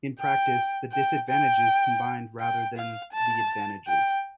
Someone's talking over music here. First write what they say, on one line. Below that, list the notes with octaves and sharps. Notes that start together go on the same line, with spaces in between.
In practice, the disadvantages combined rather than the advantages.
G5
G5
G5
G5
F5
A5
G5